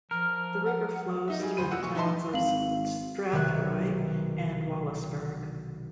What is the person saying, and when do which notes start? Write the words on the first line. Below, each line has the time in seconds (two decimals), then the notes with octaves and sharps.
The river flows through the towns of Strathroy and Wallaceburg.
0.11 F3 A#4 F6
0.66 F#5
1.28 D#4 E5
1.40 G3 G#4
1.57 D2 C5 B5 D#7
1.71 E2 B2 F#5 E6
1.83 C#6
1.95 D#4 E4 B4 A5 C6
2.34 G#1 F5 F#7
3.32 B1 C3 D#3 C#5 E5 F#6